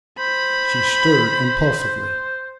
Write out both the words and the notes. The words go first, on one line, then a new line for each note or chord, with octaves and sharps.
She stirred impulsively.
C5 B5